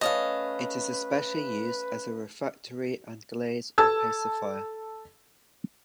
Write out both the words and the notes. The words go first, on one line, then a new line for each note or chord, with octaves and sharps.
It is especially used as a refractory and glaze opacifier.
A3 C#4 B4 D#5 F5
A4 A5 E6 G#6